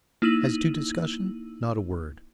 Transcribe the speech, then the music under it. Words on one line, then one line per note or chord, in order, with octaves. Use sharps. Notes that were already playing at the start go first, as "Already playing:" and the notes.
As to discussion--not a word.
A#3 D#4 E4 E6 D#7 F#7